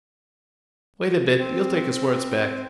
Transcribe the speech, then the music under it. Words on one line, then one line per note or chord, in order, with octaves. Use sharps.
Wait a bit, he'll take his words back.
C4